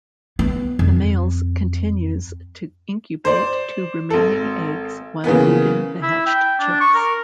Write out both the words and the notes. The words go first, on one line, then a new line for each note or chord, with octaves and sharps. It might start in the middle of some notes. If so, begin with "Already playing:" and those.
The males continues to incubate to remaining eggs while brooding the hatched chicks.
B3
F2
C5 D5
G#1 A4
C#3 E3 A#3 B3
E4
G5
D4
C#6
A#4